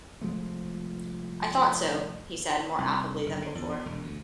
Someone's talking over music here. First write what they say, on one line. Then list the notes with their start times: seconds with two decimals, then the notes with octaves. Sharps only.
'I thought so,’ he said, more affably than before.
0.21 C2 F3 G#3 A3
2.78 C2
3.26 F#1
3.42 D3
3.55 E2
3.69 B2
3.86 E1
4.01 D2